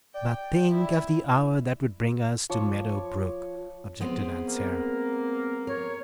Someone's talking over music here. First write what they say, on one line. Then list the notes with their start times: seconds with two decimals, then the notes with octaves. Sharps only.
"But think of the hour that would bring us to Meadow Brook!" objected Aunt Sarah.
0.14 D5 G5
0.71 E4
2.49 F3 C#5 D6
4.01 G#3 B3 C4
4.47 A#3
5.67 A#4 C#5